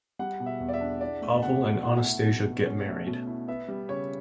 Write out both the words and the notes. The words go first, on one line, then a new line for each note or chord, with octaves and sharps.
Pavel and Anastasiya get married.
G3 F#5
B2
E5
E2
D5
E5
D4
E4 D5
A3
B2 F#5
B2
E4 F#5
A3
B2
B2
C#4
A3
B2
E4
B3 E5
G3
C#3 C#5